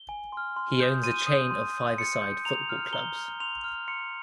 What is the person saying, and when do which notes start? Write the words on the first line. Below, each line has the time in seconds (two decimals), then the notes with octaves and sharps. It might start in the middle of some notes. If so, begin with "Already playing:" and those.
He owns a chain of five-a-side football clubs.
Already playing: G7
0.09 G#5
0.32 C6 F6
0.56 C6
0.80 D#6 G6
1.04 C6 D#7
1.27 D#6 G6
1.51 C6
1.74 G6
1.98 C6 C#7
2.22 G6
2.45 A#5 F7
2.69 F6
2.93 A#5 G7
3.17 F6
3.40 C6 F7
3.64 F6
3.88 C6 C#7